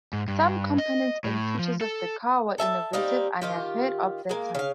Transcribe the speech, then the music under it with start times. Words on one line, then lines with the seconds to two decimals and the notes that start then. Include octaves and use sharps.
Some components and features of the car were innovative and ahead of their time.
0.13 G#2
0.28 G2
0.78 D#5
1.24 A2
1.59 F3
1.81 A4
2.58 A4 E5 G#5 A5
2.93 G3 A#3 C4 D#4
3.41 D#3 F4 G4
4.29 G#3 A#3
4.55 C#3 F5